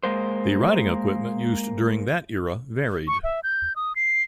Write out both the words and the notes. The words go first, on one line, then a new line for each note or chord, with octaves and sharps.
The riding equipment used during that era varied.
G#3 A#3 C5
C#6
E5
G6
D#6
C7